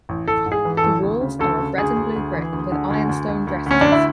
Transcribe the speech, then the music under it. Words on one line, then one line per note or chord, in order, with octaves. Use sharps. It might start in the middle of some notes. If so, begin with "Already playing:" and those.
The walls are of red and blue brick with ironstone dressings.
A1
A1 A4
G#2
G#4
E3
A4
A1
D2
C#3
D2 A4
C#3
D2 G#4
D2
D2
E3
D2
D3
D2
D2
D2
D2
D2 C#4
D2 D4
E4